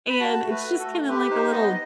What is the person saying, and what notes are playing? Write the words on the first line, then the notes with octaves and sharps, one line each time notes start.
and it's just kinda like a little,
B5
F#4 A5
A3
B4
F#4
A4
A3
G4 B4
D#4 C5
B3 D#5
D#5